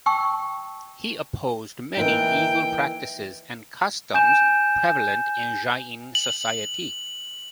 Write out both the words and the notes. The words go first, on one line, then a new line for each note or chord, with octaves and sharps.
He opposed many evil practices and customs prevalent in Jain society.
G5 A5 C#6 E6
E3 A#3 D#4 G5
G#5 G6 E7
F#7